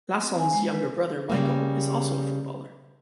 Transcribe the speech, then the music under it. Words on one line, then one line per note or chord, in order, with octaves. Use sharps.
Lacen's younger brother, Michael, is also a footballer.
C4
G#5
G#3
B4
C#3 G3 A#3